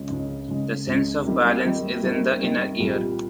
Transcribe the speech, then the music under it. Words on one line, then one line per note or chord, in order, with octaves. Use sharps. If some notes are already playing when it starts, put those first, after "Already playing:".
The sense of balance is in the inner ear.
Already playing: C#2 C#3 G#3
C#2 C#3 G#3
C#2 C#3 G#3
C#2 C#3 G#3
C3 D#3 G3 A#3
C3 D#3 G3 A#3
C3 D#3 G3 A#3
C3 D#3 G3 A#3
C2 A#2 G3